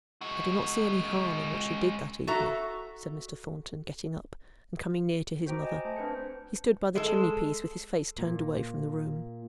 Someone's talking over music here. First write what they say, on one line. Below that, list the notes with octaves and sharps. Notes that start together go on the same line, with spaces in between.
'I do not see any harm in what she did that evening,' said Mr. Thornton, getting up, and coming near to his mother; he stood by the chimney-piece with his face turned away from the room.
G#3 F#4
F#4 A4 E5 A#5
F#4 C5 G5 A#5 D6
D#5 G#5
A3 C5 A5
C4 D4 B4 C5 C#7
G#3 A4
A#2